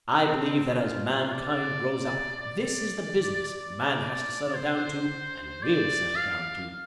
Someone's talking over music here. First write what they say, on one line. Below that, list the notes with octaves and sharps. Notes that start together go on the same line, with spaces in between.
"I believe that as Mankind grows up this is the business Man has to settle down to and will settle down to."
C4
F4
D5
D5
D5
C5
D5
F5